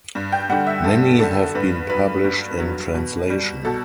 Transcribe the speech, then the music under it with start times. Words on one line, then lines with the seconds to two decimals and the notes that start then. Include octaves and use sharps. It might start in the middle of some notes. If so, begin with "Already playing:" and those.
Many have been published in translation.
0.15 G2
0.32 G5
0.50 D3 G3 F#5
0.67 E5
0.84 G2 A4
1.19 D3 G3 A4
1.55 G2 B4
1.89 F#3 B4
2.24 G2
2.59 F#3
2.94 B2
3.30 G3
3.65 B2 A4